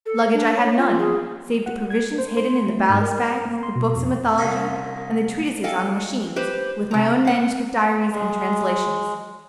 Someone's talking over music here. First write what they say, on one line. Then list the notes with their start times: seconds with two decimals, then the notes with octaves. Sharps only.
Luggage I had none, save the provisions hidden in the ballast bags, the books of mythology, and the treatises on the machines, with my own manuscript diaries and translations.
0.06 A4
0.34 D4
0.56 C#5
0.78 F4
0.98 G#4
1.66 F#5
1.90 G#6
2.18 C5
2.37 C6
2.68 A3
2.90 G#2
3.01 A#4
3.45 A#3
3.63 C6
3.75 B2
3.96 F2
4.38 C2 A#2 D#3 C#4 D#4 G#5
5.64 A4 D#5 F5 G5 G#5
6.36 G4 B4 C5
6.91 C3 A#5
7.25 F5 F#5
8.12 G#3